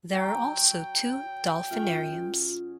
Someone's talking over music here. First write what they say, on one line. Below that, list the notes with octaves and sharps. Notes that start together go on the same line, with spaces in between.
There are also two dolphinariums.
F#3 G5 G#5 C#6
F#2 F4 G#4 C#6